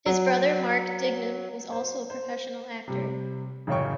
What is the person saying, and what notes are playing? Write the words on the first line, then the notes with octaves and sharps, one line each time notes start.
His brother Mark Dignam was also a professional actor.
F#3
C5
C5
C3 G3
A1 F#2 C#3 C#4 G5 C#6